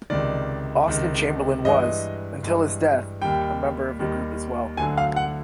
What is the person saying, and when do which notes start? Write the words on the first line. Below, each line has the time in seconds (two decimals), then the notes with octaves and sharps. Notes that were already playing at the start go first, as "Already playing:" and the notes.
Austen Chamberlain was, until his death, a member of the group as well.
0.10 C#2 C3 D#3 D5
0.88 C#2 C3 D#3
1.65 G2 E3 G#3 D#5
2.43 G2 E3 G#3
3.22 D#2 D#3 G3 G5
3.99 D#2 D#3 G3
4.77 D2 D3 F#3 G#5
4.98 F5
5.16 F#5